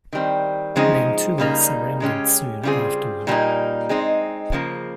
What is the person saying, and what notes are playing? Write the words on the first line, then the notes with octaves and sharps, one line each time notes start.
Mantua surrendered soon afterward.
D#3 G3 C4
C#3 F3 G#3 C4 D#4
C#3 G3 A#3 D#4
C#3 G#3 C#4 G4
C#3 G3 C4 F4 G#4
A#2 G3 A#3 D#4
G#3 C4 D#4
C#3 F3 A#3